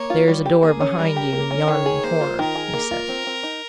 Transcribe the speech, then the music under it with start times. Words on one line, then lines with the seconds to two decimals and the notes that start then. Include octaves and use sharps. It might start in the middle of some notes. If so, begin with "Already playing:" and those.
"There's a door behind you in yon corner," he said.
Already playing: A#3 C#5
0.10 F4
0.28 G3
0.46 G4
0.63 A#3 G#4
0.81 C#4
0.98 G3 A#4
1.16 G4
1.33 A#3
1.51 C#4
1.68 D#3 C#5
1.86 G#4
2.03 A#3 C5
2.21 F4
2.38 D#3 A#4
2.55 G#4
2.73 A#3
2.91 F4
3.09 C4
3.26 C4
3.43 D#4